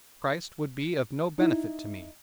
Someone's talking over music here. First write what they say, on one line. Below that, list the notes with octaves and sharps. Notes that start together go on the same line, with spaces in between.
Christ would be of no benefit to me.
D#4 E4